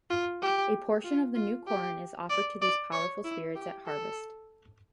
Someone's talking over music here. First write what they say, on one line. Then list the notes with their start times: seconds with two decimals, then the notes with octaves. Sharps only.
A portion of the new corn is offered to these powerful spirits at harvest.
0.10 F4
0.42 G4
1.04 F4
1.35 F4
1.67 G4
2.30 D5
2.62 D5
2.92 C#5
3.24 E4
3.55 G4
3.86 A4